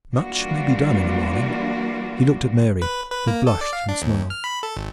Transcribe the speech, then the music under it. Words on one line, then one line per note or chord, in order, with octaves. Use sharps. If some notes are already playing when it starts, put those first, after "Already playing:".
"Much may be done in a morning." He looked at Mary, who blushed and smiled.
E3 G3 A#3 D4 F4 F#4
B4
B4
A#3
A4
D5
F5
D4
D#2
F6
B5
A4
G#1